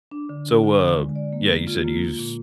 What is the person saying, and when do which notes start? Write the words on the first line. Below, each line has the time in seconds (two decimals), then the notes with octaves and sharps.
So, uh, yeah, you said you use
0.11 D4
0.29 D3
0.46 D4
0.64 D3
0.80 D3
0.98 G#3
1.15 D5
1.33 A#3
1.50 A#3
1.67 F4
1.84 A#3
2.01 A#3
2.19 A#2